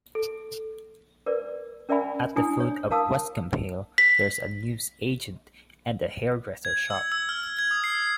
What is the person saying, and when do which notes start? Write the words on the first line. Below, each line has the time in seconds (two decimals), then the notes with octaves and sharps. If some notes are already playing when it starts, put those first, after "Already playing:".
At the foot of Westcombe Hill, there is a newsagent and a hairdresser's shop.
0.15 A4
1.26 A#4 B4 D5
1.89 C#4 A#4 D5 E5 G#5 B5
2.36 D4 E4 G#5 D#6
2.60 C#5
2.91 A#4 F5 A5 D#6 E6
3.98 B6
6.65 G#6
6.90 E6
7.12 E6
7.29 F6
7.59 G#6
7.71 D#6
7.84 C7